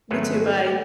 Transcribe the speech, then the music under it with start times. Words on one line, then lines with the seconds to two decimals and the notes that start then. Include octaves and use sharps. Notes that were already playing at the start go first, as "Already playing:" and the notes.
You too, bye.
0.11 G#2 D#3 F#3 A3 B4